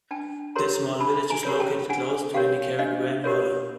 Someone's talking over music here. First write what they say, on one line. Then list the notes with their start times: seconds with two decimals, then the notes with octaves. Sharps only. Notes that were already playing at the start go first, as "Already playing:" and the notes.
This small village is located close to the Nicaraguan border.
0.11 D4 G5 A5
0.55 G4 A#4 C#5 A#5 C6
1.00 D4 A5 B5
1.30 G#5 A#5
1.45 G4 A#4 C#5
1.60 G5 A5
1.89 D4 F#5 G#5
2.34 G4 A#4 C#5 F5 G5
2.79 D4 D#5 F5
3.24 G4 A#4 C#5